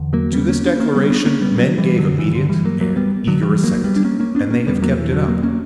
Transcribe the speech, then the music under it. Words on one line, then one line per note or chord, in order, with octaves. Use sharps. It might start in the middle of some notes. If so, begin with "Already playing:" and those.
To this declaration men gave immediate and eager assent and they have kept it up.
Already playing: E2 D3
F#3 A#3
G3 B3
A#3 C#4
B3 D4
A#3 C#4
G3 B3
B3 D4
A#3 C#4
G3 B3
F#3 A#3
E3 G3
D3 F#3
G2 D3 E3
D3
E3 G3
F#3 A#3
F#3 A#3
G3 B3
D3 F#3
E3 G3
F#3 A#3
G3 B3
D4
A#3 C#4
A#3 C#4
B3 D4
A#3 C#4
E2 B2 G3 B3
F#3 A#3
E3
D3 F#3
F#3 A#3
A#3 C#4